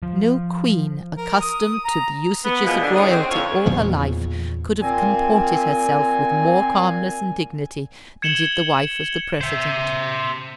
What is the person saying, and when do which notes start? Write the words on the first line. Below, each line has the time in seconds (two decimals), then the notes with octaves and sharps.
No queen, accustomed to the usages of royalty all her life, could have comported herself with more calmness and dignity than did the wife of the President.
0.03 F3
1.17 A#4
1.41 D#6
1.85 A#5
2.44 B3
2.64 B2 E3 F3 G#3 A#3 B3
2.81 D3
2.96 A2 D3 D#4 G#4 C#5
3.09 C4
3.30 F2 D3 F3 F4 A4 C#5
3.66 E2 A#2 C#3 F3
4.81 A#2 C4 G#5
8.22 G#6 C#7 E7 F#7 G7
9.41 C5 E5